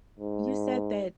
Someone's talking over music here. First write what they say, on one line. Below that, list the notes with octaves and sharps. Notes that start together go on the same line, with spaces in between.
You said that
G#2